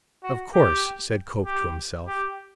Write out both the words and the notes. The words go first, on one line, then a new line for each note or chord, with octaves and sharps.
"Of course," said Cope to himself.
F#4
G4
G4
G4